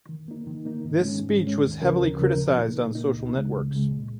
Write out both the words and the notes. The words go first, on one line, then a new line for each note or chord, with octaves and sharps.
This speech was heavily criticized on social networks.
D#3
A#3 D#4
D#3
A#3 D#4
G#2
D#3 G#3 C#4
G#2
D#3 G#3 C#4
D#2
C#3 F3 C#4 A#4
D#2
C#3 F3 C#4 A#4
A#2
A#3 D#4
A#2
A#3 D#4
C#2
C#3 G#3
C#2
C#3 G#3
A#2